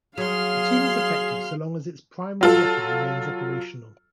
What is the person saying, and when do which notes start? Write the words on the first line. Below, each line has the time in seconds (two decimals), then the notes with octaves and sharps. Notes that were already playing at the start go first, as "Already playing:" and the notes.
A team is effective so long as its primary weapon remains operational.
0.18 F#3 G#4 F5 C6 F6
2.41 F#3 F4 A4